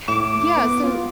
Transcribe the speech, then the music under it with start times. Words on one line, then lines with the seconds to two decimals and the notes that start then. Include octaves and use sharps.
eh, yeah, so
0.08 A2 D6 E7
0.57 B3
0.84 B3 F4